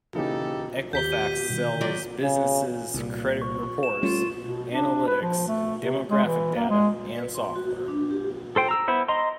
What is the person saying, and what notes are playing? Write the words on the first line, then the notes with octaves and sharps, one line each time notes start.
Equifax sells businesses credit reports, analytics, demographic data, and software.
C#3 E3 A#3 D#4 G4 A4
D#2 G4 G6 B6 G7
D#7
B2 D#3 G3
D3
F#3 F4 D5
C#3
C2 A#2
C#6
E7
G3 A3 C#4 F4
B2
D4
B4
F3
A3
C3
G#3
E3
A#3
G#3
B4
C6
F#4
D4
G4
A4 C5 G5
A#5 E6
B3 E4 C5
D#5 A#5 C6